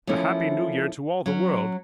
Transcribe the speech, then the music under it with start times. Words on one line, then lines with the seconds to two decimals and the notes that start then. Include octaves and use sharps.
A happy New Year to all the world!
0.07 F3 A3 A#3 C#4 E4
1.26 F#3 C#4